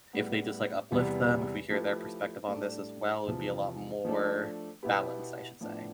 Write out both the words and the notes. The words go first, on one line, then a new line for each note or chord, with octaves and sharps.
if they just, like, uplift them, if we hear their perspective on this as well, it be a lot more balanced I should say.
A2 G3 B3
E2 C3 G3 B3
F3 A3 E4 G4 B4
A2 G3 D4 A4
E2 C3 F3
F3 A3 D4
B2 B3 E4 G4 B4
A2 F3 B3 D4